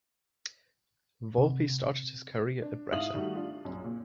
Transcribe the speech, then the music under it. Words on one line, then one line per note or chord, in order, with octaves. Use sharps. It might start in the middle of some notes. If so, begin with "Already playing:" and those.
Volpi started his career at Brescia.
C3
D4
G#2 E4 F5 D#6 F7 F#7
D#3 G3 A3 F#4
D4 F4
A#1 F#2
A#2